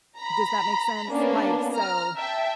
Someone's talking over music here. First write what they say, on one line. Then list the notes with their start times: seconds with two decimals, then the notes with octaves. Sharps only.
Does that make sense? Like, so,
0.18 A#5 B5
1.10 A#3 B3 C#4 D4
1.75 A#5 F6
2.17 E5 G5 A5